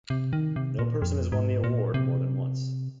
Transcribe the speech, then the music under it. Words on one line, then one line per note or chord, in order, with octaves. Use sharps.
No person has won the award more than once.
C3
D#3
C3
A#2
F2
G#2
A#2
C3